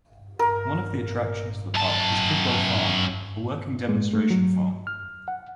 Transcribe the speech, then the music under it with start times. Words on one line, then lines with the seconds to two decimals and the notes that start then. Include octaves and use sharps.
One of the attractions of the park is Kidwell Farm, a working demonstration farm.
0.39 A#4
1.75 F#2 A5
3.89 G#3
4.13 A3
4.30 F#3
4.87 F6
5.28 F#5